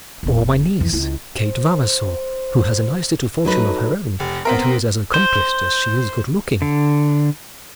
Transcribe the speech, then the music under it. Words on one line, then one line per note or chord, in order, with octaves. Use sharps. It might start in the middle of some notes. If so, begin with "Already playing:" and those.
"Or my niece, Kate Vavasor, who has a nice little fortune of her own, and who is as accomplished as she is good-looking."
E1 E2
F2 E3
C#2 E4
C5
F#3 D#4 A4 B4
F1
B3 C4 A#4
C5
D3